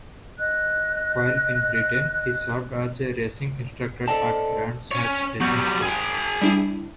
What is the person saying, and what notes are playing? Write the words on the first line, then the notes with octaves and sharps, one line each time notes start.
While in Britain he served as a racing instructor at Brands Hatch racing school.
D#5 F#6
A4 C5 D5 D#5 A5
C#4 C#5
F#3 G3 B3 C#6 G6
G#4 G5
G3 D4 E4